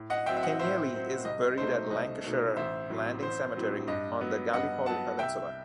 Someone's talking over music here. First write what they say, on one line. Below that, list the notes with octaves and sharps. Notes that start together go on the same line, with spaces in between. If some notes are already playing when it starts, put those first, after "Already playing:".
Kenealy is buried at Lancashire Landing Cemetery on the Gallipoli Peninsula.
Already playing: A2
D#5 F#5
F#3 C4 E5 G5
E5
D#5 F#5
A2 C5 E5
F#3 C4
C2 D#5
B2 A3 D#4 C5
C2 D#5
B2 A3 D#4
A1 C5 E5
A2 F#3 C4
A1 C5
A2 F#3 C4
G2 D#5
F#3 B3
G2 D#5 F#5
F#3 B3 F#5 A5
C2 E5 G5